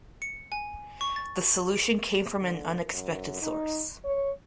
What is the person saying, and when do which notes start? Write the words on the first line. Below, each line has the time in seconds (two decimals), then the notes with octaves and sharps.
The solution came from an unexpected source.
0.22 C#7
0.52 G#5
1.01 C#6
1.16 A6
1.76 D7
2.41 D3
2.93 F#2
3.42 D#4
4.04 C#5